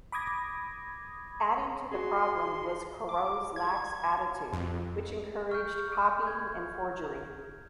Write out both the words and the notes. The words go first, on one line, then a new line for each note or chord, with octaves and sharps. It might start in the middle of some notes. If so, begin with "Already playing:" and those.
Adding to the problem was Corot's lax attitude which encouraged copying and forgery.
B5 D6 D#6 G#6 A#6
F#4 G#4 C6
D6
G#6
F2
C#6 F6 G6
G#6